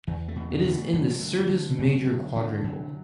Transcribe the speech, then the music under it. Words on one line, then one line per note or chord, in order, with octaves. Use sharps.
It is in the Syrtis Major quadrangle.
E2 E3
A3
B2
B3
B2
A3
F#2
D3
D3
F#2
D3
D3
F#2 F#3